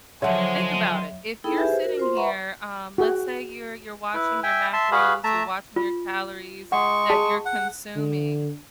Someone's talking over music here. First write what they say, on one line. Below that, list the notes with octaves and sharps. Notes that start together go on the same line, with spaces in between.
Think about it. If you're sitting here, um, let's say you're you're watching your macros, you're watching your calories that you're consuming.
D3 F3 F#3 G#3 C#5 E5 F#5 C6
D#4 E4 G#4 A4 G5 B5
G4 G#4 B4 E5 G#5
C5
F#4 A#4
F4 C5 C6
B4 E5 F#5 A#5 B5 C#6
F#4 G#4 G5
E4 B4
E5 G5 G#5
E5 A5 C6
F#4 G#4 B4 F5 B5
A3 E5 A5 A#5
F4
G#3 F#5 C#6
G#4 A5
F#5
D3